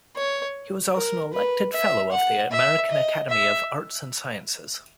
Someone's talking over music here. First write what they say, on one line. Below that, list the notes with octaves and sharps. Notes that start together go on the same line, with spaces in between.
He was also an elected Fellow of the American Academy of Arts and Sciences.
C#5
A#4
B4
E5
F#5
E5
D#5
E5